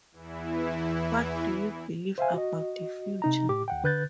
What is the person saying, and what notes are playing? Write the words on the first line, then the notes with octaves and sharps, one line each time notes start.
What Do You Believe About The Future?
E2 E3 E4
C5 E5 F5 G#5
F#4 D#5
C3 D#4 A#5
A2 G4 D6
D#2 F#5 G5
D3 B4 F#6 G6 A6